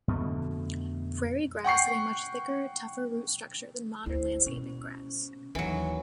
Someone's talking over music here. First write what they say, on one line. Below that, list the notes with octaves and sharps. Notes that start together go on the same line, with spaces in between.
Prairie grass had a much thicker, tougher root structure than modern landscaping grass.
F2 B2 D3 A3
F#5 G5 C#6 C7
D2 E4 C5
B2 C#4
D#2 E3 F#3